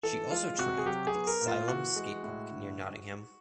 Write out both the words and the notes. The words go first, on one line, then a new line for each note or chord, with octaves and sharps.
She also trains at the Asylum skate park near Nottingham.
E3 A4
G#3 F4
C3 F#4
G#4
F#3 G4
G#4
B3
A#4
A#2
F4
E3 F#4
G#3
A2
D3